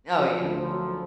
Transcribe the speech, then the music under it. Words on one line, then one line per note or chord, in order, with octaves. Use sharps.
Oh, yeah.
F3 F#3
D2
F3
F#3